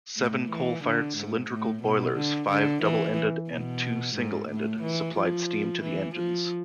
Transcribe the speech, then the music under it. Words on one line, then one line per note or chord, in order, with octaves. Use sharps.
Seven coal-fired cylindrical boilers, five double-ended and two single-ended, supplied steam to the engines.
A2
E3
D3
G#2
A2
B2
D3
D3
E3
B2
G#2
A2
E3
F3
E3
F3